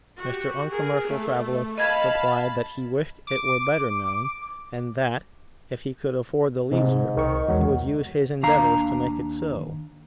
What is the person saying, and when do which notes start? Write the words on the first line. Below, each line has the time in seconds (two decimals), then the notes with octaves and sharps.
Mr. Uncommercial Traveller replied that he wished it were better known, and that, if he could afford the leisure, he would use his endeavours to make it so.
0.16 F#4 G4
0.70 G#4 A#4
1.06 A3
1.78 D#5 F5 A5 B5 G#6
3.27 D6
6.72 G#2 C3
7.17 C2 D#3 C#6
7.48 E2 F#3 G#3
8.43 D#2 D4 F5 A#5